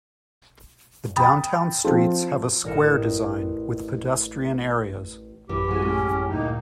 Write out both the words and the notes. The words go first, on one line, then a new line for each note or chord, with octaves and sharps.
The downtown streets have a square design, with pedestrian areas.
G5 B5 D#6 A6
F3 C4
A1 A2 A#4 D#6 C#7 E7
A1 F#2 E3 G4
F2 F#3 G#3 F#4 G#5
A2 G#3 C#4
D2 G2 A#2 A#3 D#4